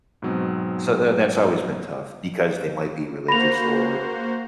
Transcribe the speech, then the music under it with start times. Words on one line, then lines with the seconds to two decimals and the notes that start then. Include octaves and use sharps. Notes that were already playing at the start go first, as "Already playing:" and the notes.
So tha that's always been tough, because they might be religious, or
0.22 G#2 B2 F#3 B3 C4
3.28 A#3 F#4 C5 B5 A#6 F7